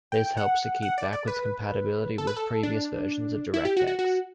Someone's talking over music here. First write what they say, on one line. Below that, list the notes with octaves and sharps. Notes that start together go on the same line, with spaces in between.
This helps to keep backwards compatibility with previous versions of DirectX.
G5
F#5
F#5
D5
D5
B4
A4
B4
A4
D4
E4
G4
F#4
F#4
F#4